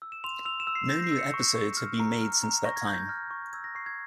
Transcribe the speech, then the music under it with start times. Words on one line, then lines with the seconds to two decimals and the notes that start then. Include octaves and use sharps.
No new episodes have been made since that time.
0.02 E6
0.12 E7
0.24 C6 F7
0.45 E6 F7
0.60 E7
0.67 E6
0.75 C7
0.89 G6 A#6
1.04 C7
1.11 E6
1.18 C#7
1.34 C#6
1.55 C#6
1.77 F6
2.00 A#5
2.21 F6
2.44 A#5
2.65 C#6 A#6
2.76 G#6
2.87 C#6 G6
3.09 F6
3.31 C#6
3.53 E6 G#6
3.64 A#6
3.75 C#6 C7
3.86 G#6